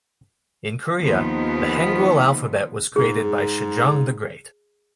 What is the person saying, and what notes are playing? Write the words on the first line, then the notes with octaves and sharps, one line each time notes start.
In Korea, the Hangul alphabet was created by Sejong the Great.
D#2 D#3 F3 B3
G#2 G#4